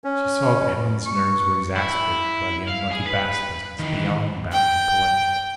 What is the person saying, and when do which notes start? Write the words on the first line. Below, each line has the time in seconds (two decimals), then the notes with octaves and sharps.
She saw that Helen's nerves were exasperated by the unlucky Bast business beyond the bounds of politeness.
0.04 C#4
1.06 C#6
1.76 E4
2.68 F5
2.91 G#4
3.07 B4
3.79 D#3 E3
4.51 G5